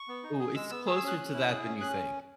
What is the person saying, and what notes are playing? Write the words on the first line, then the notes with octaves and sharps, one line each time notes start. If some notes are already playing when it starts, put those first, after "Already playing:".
Ooh, it's closer to that than you think.
Already playing: C#6
B3
D#4
G#4
G#3 E6
B3 E6
G#4 E6
E6
C#4
F#6
C#4
E4
G#4
C#4
C#4 F#6